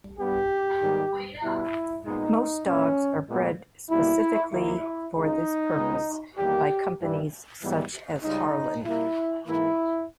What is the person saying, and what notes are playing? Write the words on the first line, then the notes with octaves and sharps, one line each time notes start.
Most dogs are bred specifically for this purpose, by companies such as Harlan.
G2 G3 B3 G4
G#2 D#3 G3 B3
B2 G3 B3 E4
A#2 G#3 B3 D#4
A#2 A#3 C#4
A#2 G#3 B3
B2 G3 A#3 E4
D#2 D#3 A#3 E4
C#2 C#3 G#3 D#4
C#2 C#3 G#3 B3
E2 D#3 G3 A#3 G4
G2 E3 G3
G#2 E3 G3 B3
C#2 C#3 G3 D#4
A#2 G3 A#3 E4
G#2 E3 A#3 E4